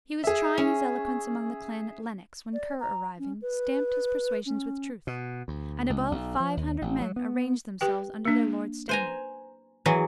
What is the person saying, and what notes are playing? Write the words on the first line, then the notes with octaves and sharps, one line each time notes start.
He was trying his eloquence among the clan at Lennox, when Ker arriving, stamped his persuasions with truth; and above five hundred men arranged themselves under their lord's standard.
G#4 E5
C#4
D5
A#5
C#4
B4
C#4
B2
D2
C#2
B1
F3
D#2
A1
F#3
B3
G4 B4 G5
A#3 D4
B4 C5 G#5 A#5
E3 F#3 G#4